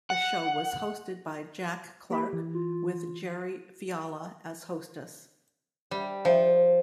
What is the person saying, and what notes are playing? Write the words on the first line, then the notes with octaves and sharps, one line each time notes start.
The show was hosted by Jack Clark, with Jerri Fiala as hostess.
F#5
A#3 G4 B5
E3
F4
G3
F3